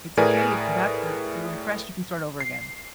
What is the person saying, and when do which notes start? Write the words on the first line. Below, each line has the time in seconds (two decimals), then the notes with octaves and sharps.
it's okay, you come back, you're you're refreshed, you can start over again.
0.17 A2 G#4 A#4 B4 D5 G#5
2.40 C7